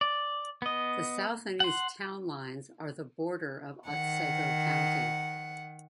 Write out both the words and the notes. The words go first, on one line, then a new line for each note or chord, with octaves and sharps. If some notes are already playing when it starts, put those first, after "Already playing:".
The south and east town lines are the border of Otsego County.
D5
B3 D#5
F#5 C6
D#3 F#5